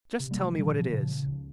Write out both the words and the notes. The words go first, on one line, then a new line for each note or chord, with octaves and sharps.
"Just tell me what it is."
C3
G3 A#3
C3
F3 G#3
A#2 D#3 G3
F3
A#2
F3
C#3 F3
C#3
C#2